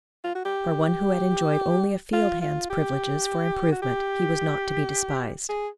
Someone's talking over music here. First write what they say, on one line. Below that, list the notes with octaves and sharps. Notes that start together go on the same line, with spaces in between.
For one who had enjoyed only a field hand's privileges for improvement, he was not to be despised.
F4
F#4
G4
F4
F4
G4
F#4
G4
G#4